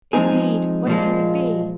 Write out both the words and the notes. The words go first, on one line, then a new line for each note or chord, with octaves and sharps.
"Indeed! what can it be?"
F3 G#3 C4 D#4 G#4
A#2 F3 G#3